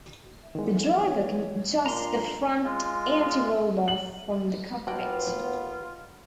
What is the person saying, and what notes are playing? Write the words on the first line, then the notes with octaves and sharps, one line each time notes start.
The driver can adjust the front anti-roll bar from the cockpit.
E2 D#3 G#3
C#5
A#2 D4 A#5 C6
G#3 F4
F#7
D#2 F#3 G3 B3 D4 F4 F#5 G5